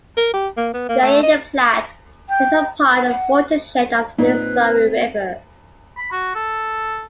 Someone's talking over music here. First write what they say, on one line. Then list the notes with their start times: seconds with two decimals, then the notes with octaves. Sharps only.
Via the Platte, it is part of the watershed of the Missouri River.
0.17 A#4
0.33 G4
0.57 A#3
0.73 B3
0.89 A#3
1.02 A3
1.23 D#5
2.29 G5
2.92 F#5
4.19 A#2 C4 D#4 B4
5.97 B5
6.12 F#4
6.35 A4